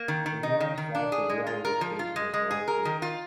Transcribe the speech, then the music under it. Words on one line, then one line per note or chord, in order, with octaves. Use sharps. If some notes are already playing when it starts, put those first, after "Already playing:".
The nearest active railway station is Rugby.
Already playing: A#3
D#3
D#3
D#4
D#3
D#3
D4
G#4
G#3
F4
A#4
F3
F4
G#3
G#3
G#4
A#4
D#3
F4